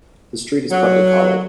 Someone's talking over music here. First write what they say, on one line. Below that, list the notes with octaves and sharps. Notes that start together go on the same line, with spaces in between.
The street is partly cobbled.
F#3